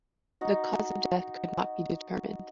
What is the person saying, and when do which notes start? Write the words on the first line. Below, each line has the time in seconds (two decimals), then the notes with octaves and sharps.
The cause of death could not be determined.
0.41 D#4 F#4